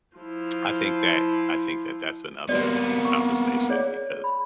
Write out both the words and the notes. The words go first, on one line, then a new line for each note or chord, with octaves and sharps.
I think that I think that that's another conversation because
F3 E4
A#3 B3 F#4 G4 D5
C#6
G#4 C#5 D5
B5